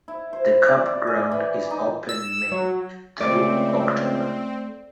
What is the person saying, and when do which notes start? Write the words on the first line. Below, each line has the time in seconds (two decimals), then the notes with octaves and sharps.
The campground is open May through October.
0.08 E4
0.33 C5
0.66 D5
1.07 G#4
1.31 E3
1.71 D#4
2.09 E6
2.52 F#3
3.20 C#2 A3 C4 D5